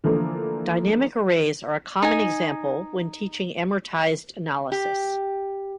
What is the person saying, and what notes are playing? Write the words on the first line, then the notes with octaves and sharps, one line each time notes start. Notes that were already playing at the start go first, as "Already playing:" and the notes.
Dynamic arrays are a common example when teaching amortized analysis.
D3 E3 F3 A3 A#3
D#4 G#5
G4